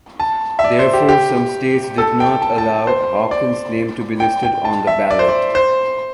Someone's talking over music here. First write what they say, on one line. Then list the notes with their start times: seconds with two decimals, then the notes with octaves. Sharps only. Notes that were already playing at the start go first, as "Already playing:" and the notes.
Therefore, some states did not allow Hawkins's name to be listed on the ballot.
0.20 A5
0.59 E5
0.64 D5
0.79 C5
0.93 G4
1.09 G4
1.98 A4
2.20 G5
2.42 A5
2.58 A5
2.87 C5
3.31 D5
4.20 G5
4.43 G5
4.65 A5
4.87 E5
5.10 D5
5.19 C5
5.29 D5
5.55 C5